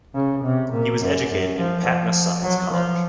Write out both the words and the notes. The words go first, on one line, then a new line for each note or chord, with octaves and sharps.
He was educated in Patna Science College.
C#3
C3
A#2
F#2
F#2
F3
F3
F#3
F3